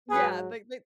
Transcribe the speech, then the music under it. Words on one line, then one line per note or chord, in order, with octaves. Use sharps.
Yeah, like they
G#2 F#3 G#4 B4